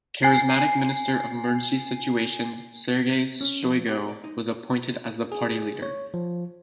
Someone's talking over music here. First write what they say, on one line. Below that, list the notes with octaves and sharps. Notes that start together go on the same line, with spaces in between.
Charismatic Minister of Emergency Situations Sergei Shoigu was appointed as the party leader.
G#5 C7
C#4
F3
G4
D5
D#4
G#4
C#5
F3